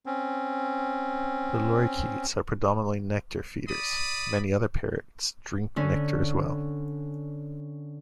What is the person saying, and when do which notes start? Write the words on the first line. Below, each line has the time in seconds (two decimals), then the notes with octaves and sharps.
The lorikeets are predominantly nectar feeders; many other parrots drink nectar, as well.
0.06 C4 C#4
3.68 D5 B5 D#6
5.76 D3 C#4